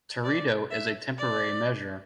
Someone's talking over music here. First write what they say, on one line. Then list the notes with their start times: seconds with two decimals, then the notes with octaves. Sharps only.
Teredo is a temporary measure.
0.24 D5
0.71 E5
1.18 D5